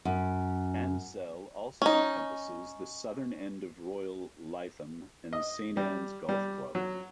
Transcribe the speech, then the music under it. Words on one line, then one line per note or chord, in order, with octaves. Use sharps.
Ansdell also encompasses the southern end of Royal Lytham and Saint Annes Golf Club.
F#2
C#4 D#4
D#5
G3
G3
F#3